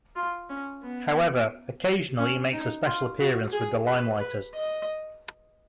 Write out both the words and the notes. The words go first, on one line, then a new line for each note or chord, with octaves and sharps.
However, occasionally he makes a special appearance with the Limeliters.
F4
C#4
B3
C#4
D#4
F4
F#4
G#4
B4
B4
D#5